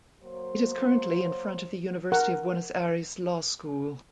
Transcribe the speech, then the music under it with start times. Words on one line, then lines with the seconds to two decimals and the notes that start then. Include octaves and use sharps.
It is currently in front of the University of Buenos Aires Law School.
0.22 F#3 A#3 C5
2.12 A#4 F#5